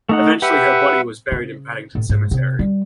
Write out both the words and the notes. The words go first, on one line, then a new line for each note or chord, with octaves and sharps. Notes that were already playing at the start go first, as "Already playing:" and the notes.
Eventually her body was buried in Paddington cemetery.
A3 D#4 F#5
G4 B4 E5 F#5
C#3
A2
G#2
C3
G3